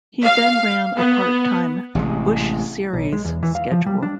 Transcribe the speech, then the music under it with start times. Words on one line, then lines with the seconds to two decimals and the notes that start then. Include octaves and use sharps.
He then ran a part-time Busch Series schedule.
0.22 F5
0.97 B3
1.95 A1 C3 D#3 G#3
2.93 B1
3.13 G#3
3.25 E2
3.43 E3
3.55 F5
3.72 F3
3.86 G3
4.02 D4